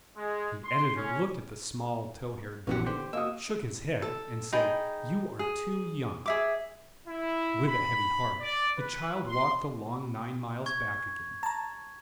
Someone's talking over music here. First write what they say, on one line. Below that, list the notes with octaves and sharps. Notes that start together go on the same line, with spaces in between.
The editor looked at the small, tow-haired boy, shook his head, and said, "You are too young." With a heavy heart the child walked the long nine miles back again.
G#3
C6
C#4
A#1 E3 B3 C#4 F#4 G4 F#5
D3 G4 C5
A#3 F#4 D#5 F5 D#6 E6
A4
D#4 G#4 G5 B5
G#4
G#4 E5 D6
E4
B5
D5
B4
C6
C#6 G#6
A5 A#5